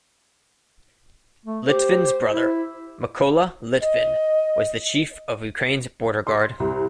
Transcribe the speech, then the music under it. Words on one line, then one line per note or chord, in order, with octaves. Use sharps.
Lytvyn's brother, Mykola Lytvyn was the chief of Ukraine's Border Guard.
A3
G4 C5
E4
D#5
C6
C2